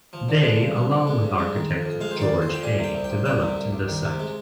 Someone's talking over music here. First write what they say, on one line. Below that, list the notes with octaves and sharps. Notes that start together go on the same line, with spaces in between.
They, along with architect George Hay, developed the site.
F3
D3
G#3
G2
F3
D3
G#3
G2
G#3
D#3
F2
F2
G#3 F5
C5
D#3
D5
F2
C5
F2
G5
G3 G#5
C3 G5
C2
G5
C2
G3 G5
C3
C2
C2
D#3
C3
G#3